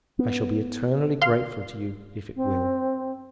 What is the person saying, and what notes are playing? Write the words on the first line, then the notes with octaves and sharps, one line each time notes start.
I shall be eternally grateful to you if it will.
B3
F5 C6
C4